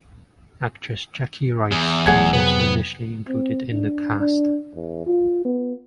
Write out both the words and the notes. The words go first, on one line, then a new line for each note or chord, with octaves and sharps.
Actress Jackie Rice was also initially included in the cast.
E2
D#1 F#3 A3 G#4 F#5 G#6
F2 C3 F#3 B3
C4
D4
D4
E2
F4
B3